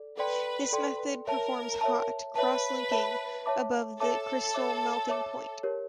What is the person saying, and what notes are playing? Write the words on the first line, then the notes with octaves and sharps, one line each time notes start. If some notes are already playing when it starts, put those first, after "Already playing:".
This method performs "hot" cross-linking, above the crystal melting point.
Already playing: A4 D5
A4 B4 D5 G5 C6
A4 D5 G5 C6
A#4 C#5 E5 A5
C#5 E5 A5
B4 C#5 E5 A5
C#5 E5 A5
C#5 E5 A5 D6
A4 C#5 E5 A5 D6
C#5 E5 A5 D6
C#5 E5 A5 D6
G4 A#4 C#5